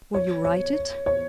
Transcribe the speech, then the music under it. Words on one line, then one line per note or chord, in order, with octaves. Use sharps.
"Will you write it?"
C#5
C#5
C#5